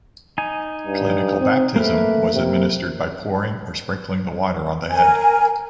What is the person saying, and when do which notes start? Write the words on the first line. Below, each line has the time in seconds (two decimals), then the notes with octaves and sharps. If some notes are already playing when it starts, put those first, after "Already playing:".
Clinical baptism was administered by pouring or sprinkling the water on the head.
0.38 D#4 G#5
0.87 G2
1.40 C4
1.76 A3 A#3 A#4 B4
2.34 C3
4.91 A#4 G#5